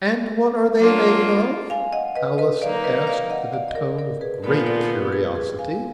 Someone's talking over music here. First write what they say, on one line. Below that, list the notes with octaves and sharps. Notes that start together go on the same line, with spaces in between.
'And what are they made of?' Alice asked in a tone of great curiosity.
F#3 A#3 D4 F4
F5 G#5
D#5 F#5
B4 D#5
B4 D#5
F#3 A#3 D#4 D5 F5
B4 D#5
D5 F5
D#5 F#5
D5 F5
D#5
A#4 D5
A#4 D5
G#4 B4
A#2 F3 B3 A#4 D5
A#4 D5
G#4 B4
G#4 B4
G#4 B4
F5 G#5